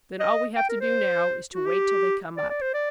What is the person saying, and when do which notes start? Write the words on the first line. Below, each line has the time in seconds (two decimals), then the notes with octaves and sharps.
"Then all we have to do now is to wait till they come up."
0.20 D#5
0.56 G5
0.69 A#4
0.81 C5
1.54 F#4
1.66 G4
2.37 D5
2.50 D5
2.61 C5
2.74 D5